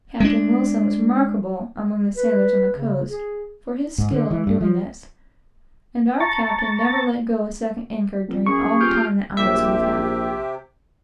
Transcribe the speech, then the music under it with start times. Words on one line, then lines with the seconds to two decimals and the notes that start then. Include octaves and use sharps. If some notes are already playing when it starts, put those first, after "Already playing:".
Captain Wilson was remarkable, among the sailors on the coast, for his skill in doing this; and our captain never let go a second anchor during all the time that I was with him.
0.20 G#3 B3 D4
2.17 B4
2.76 C#3
3.10 G#4
3.98 G#2
4.11 D3
4.31 E3
4.47 G2
4.61 F3
6.20 A5 A#5 C#6 A6
8.28 F1
8.46 F#2 G#4 C#6
8.80 D#1 F4 G4
9.37 A#1 C3 G4 E5